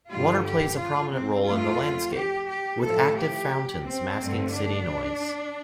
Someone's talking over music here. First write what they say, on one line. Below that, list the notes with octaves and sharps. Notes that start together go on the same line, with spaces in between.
Water plays a prominent role in the landscape, with active fountains masking city noise.
G2 D3 G3 F4
G4
F4
C4
F2 F3 A3 F4
G4
G4
A2 F3 A3 A4
G4
C4
G2 D3 A3
D4